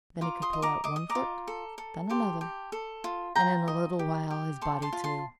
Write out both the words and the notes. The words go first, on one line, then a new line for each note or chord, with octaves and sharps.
Then he could pull out one foot, then another, and in a little while his body, too.
F4 A#5 D6
C6 D#6
D#5
A#5 D6
D#5 D6
D#6
A#5 D6
F4
A4
A4
G4 A5 C6
G4
A4
F4
F4 G5 A#5
D#5
G4
G4
A4 A5 C6
A5 C6
F4
A5 C6